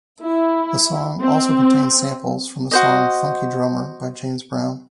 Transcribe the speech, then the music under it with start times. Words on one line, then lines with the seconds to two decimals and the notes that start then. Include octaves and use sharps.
The song also contains samples from the song "Funky Drummer" by James Brown.
0.22 E4
1.21 C4
2.71 F#4 C5 D#5